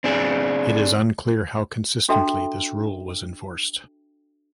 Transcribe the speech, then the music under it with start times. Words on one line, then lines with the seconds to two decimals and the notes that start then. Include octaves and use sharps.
It is unclear how consistently this rule was enforced.
0.04 C4 D4 G#4
2.09 D4 F#4 A4 E5 G5 A#5